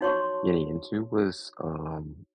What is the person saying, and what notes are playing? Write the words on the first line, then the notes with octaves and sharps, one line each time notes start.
getting into was, um,
D#4 F#4 C#5 A5 C6 C#6